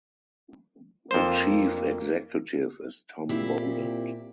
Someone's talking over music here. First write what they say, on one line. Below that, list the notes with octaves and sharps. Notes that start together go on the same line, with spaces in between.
The Chief Executive is Tom Boland.
F2 A#3 C5
A#2 C4 E4 G4